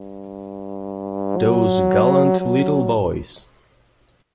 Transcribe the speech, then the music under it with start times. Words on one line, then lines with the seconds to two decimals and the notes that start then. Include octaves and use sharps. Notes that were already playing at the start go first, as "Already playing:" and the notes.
Those gallant little boys!
Already playing: G2
1.37 F#3
2.40 F#3